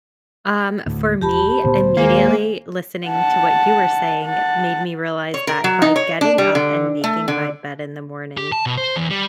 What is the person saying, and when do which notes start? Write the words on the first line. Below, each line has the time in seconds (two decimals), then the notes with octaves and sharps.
Um, for me, immediately listening to what you were saying made me realize that by getting up and making my bed in the morning,
0.86 D2 A2
1.21 E1 G4 A5 B5
1.64 D2 A#2 B3 C5
1.97 D#1 D#3 G#3 A#3 G#4 G#5
3.07 F#5 A5
4.25 F#5 A5
5.34 C#5
5.47 A#4
5.64 F#3
5.82 D#4
5.96 C#5
6.21 D4
6.38 G3
6.55 D3
7.04 A3
7.28 D3
8.37 G4
8.52 A5
8.66 B2
8.77 C5
8.96 E2
9.10 G3